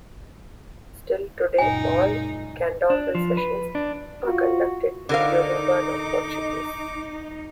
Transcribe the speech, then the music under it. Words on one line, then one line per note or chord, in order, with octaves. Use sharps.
Still today all Candomble sessions are conducted in Yoruba, not Portuguese.
C#2 F#2 A#2 D#4 G#5
D4
F3
B4
D4
F4 F#4
D3 D#4 A#4 F5 D6